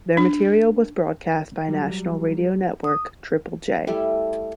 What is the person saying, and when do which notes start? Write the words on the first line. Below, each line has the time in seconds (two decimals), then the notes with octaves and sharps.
Their material was broadcast by national radio network, Triple J.
0.17 D4
1.68 F#3 G3
2.84 D#6
3.87 G3 A3 E4 A4